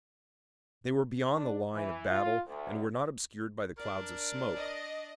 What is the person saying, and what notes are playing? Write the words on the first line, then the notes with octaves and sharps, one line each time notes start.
They were beyond the line of battle and were not obscured by the clouds of smoke.
D4
E3
F4
D2
D4 A#4 D5
D#5